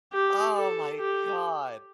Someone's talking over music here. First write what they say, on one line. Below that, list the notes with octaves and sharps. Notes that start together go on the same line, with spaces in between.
Oh, my god,
G4
A4
G4